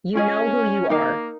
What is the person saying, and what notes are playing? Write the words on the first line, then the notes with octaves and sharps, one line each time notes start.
You know who you are.
C#4 F4 G#4 D#5
A#3 D#4 A#4 F5